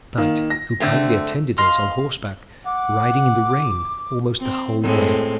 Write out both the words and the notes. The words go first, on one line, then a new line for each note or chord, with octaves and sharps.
Knight, who kindly attended us on horseback, riding in the rain almost the whole way.
D#3 A#3
A#6
D3 A3 C4
D#5 F5 C6
F#5 D6
C4
A2 G#3 C4